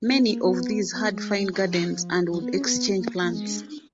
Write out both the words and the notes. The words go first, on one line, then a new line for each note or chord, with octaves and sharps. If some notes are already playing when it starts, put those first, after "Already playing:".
Many of these had fine gardens and would exchange plants.
B3
A#3
B3
B3
G#3
F3
F#3
B3
C#4
B3
A#3
A#3
G#3